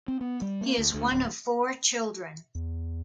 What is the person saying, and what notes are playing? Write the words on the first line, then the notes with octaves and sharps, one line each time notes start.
He is one of four children.
C4
B3
G3
A#3
D2
D2
D1
E2